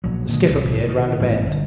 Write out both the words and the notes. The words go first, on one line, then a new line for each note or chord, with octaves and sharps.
The skiff appeared round a bend.
A#1 F#3
A#2 D3 G#3
C2 B2 D#3
D#3
A1 G2
G1